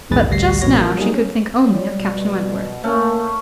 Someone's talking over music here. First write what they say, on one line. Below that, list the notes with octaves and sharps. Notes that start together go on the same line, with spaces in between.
But just now she could think only of Captain Wentworth.
A#1 E2 G#2 G#4 B4 A6
A1 D2 G3 A#6 C7
A1 B2 F#3 F#4 C#5 A#6
E3 A#3 E4
F#3 G3 A#3 D#4 G#4
C#4
G3 C#4
B2
A3 A#3 C#4